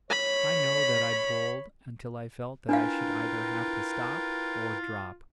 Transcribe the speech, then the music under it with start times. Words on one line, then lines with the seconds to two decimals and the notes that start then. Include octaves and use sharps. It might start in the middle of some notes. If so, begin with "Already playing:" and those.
I know that I bowled until I felt that I should either have to stop or drop.
0.10 C#5 B5
2.69 D4 E4 F4 A#4 B4 F5 G5